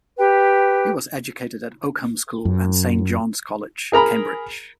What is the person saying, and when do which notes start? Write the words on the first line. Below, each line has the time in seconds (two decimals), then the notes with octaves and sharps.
He was educated at Oakham School and Saint John's College, Cambridge.
0.17 G4 B4 G5
2.45 F#2
3.92 G#4 A#4 A#5 B5